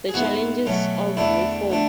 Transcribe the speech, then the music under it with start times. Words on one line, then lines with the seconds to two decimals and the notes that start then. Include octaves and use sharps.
The challenges of reform.
0.09 G#4
0.14 G#2 E3 B3 F#4
0.66 B2 F#3 A3 C#4
1.17 E2 D3 A3 D4 E4
1.70 D3 A3 D4